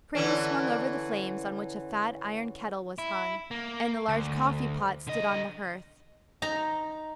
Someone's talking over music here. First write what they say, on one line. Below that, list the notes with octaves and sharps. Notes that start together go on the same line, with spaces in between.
A crane swung over the flames on which a fat iron kettle was hung, and the large coffee-pot stood on the hearth.
D3 E3 C#4
E4
A#3
D2
D3 D#5
D#4 A#5